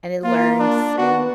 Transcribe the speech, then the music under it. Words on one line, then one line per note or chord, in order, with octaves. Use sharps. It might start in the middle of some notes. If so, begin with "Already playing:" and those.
And it learns and,
A#3 F4
D4
B3 F#4